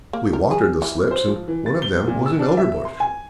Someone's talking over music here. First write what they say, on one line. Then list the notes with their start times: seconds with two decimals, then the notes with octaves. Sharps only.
We watered the slips, and one of them was an Elderbush.
0.13 A#3
0.33 A#4
0.51 G#4
0.82 E3
1.11 C5
1.28 F3
1.48 E3
1.66 A6
1.82 G7
2.08 A#2
2.26 E6
2.39 D4
2.57 E5
2.85 C6
3.00 G#5